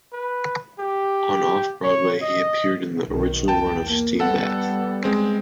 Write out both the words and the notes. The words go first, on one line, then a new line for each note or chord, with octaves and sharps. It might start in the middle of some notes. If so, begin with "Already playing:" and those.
On Off Broadway, he appeared in the original run of "Steambath".
B4
G4
C#5
D#5
B1 D#3
E2 G5 A5
A#3
G3 B3 A4 F#5
G#3 C4